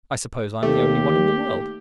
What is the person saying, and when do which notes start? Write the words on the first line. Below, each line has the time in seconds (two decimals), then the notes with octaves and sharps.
I suppose I am the only one in the world.
0.63 D#2 A3 G4